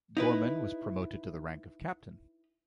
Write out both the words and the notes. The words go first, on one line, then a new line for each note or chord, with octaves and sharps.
Gorman was promoted to the rank of Captain.
D#4 E4 B4